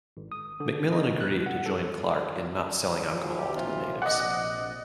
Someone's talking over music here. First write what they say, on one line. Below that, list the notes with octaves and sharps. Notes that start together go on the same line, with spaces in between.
McMillan agreed to join Clarke in not selling alcohol to the natives.
G#1
D#6
D3
D#5
F#6
F#5
A4
D#3 F3 F#3 G#4
C3 E3 F#3 G4
A#1 F4
C3 D5 D#5 F#5